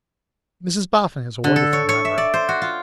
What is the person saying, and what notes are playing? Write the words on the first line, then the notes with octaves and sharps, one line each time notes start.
Mrs Boffin has a wonderful memory.
D3
A4
C#5
C#5
E5
D5
C5
F#4
F4